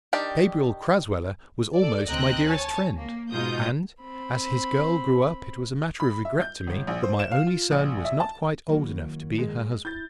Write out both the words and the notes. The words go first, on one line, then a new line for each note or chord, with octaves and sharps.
Gabriel Crasweller was almost my dearest friend, and as his girl grew up it was a matter of regret to me that my only son was not quite old enough to be her husband.
D#3 D4 G4 D5
A4 D5
D2 C4 D#5 G5 A#5 F#6
C#5 G#5 A5
A#3
G#2 B2 D#4 F4 D#6 G6
C4 B5
B5
E5
G6
G1
A#1
C5
E7
F5
F4
A#1
E5
A5
D#3 F#3 A#3 E4
G#3
E4 G6 A6